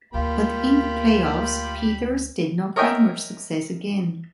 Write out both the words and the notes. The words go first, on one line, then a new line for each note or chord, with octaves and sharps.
But in the playoffs, Peeters did not find much success again.
D2 A#3 F4 G4 B5
A#4 C#5 D#5 E5 G5 G#5